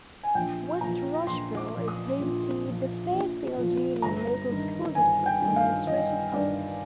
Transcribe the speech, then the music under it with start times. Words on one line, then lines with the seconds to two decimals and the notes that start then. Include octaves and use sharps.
West Rushville is home to the Fairfield Union Local School District Administrative Office.
0.23 G#5
0.34 A#1 G5
0.80 A#2 F3 A#5
1.26 A#1 C6
1.57 D6
1.73 A#2 F3
1.88 D#6
2.19 A#1
2.65 A#2 F3
3.11 A#1
3.56 A#2 F3
4.02 G1 A#5
4.49 G2 D#3
4.95 G1 G#5
5.26 G5
5.42 G2 D#3
5.56 F5
5.86 G1 D#5
6.33 G2 D#3 D5